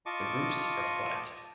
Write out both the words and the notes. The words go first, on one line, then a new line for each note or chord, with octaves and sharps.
The roofs are flat.
F4 D#5 A5 C#6 D6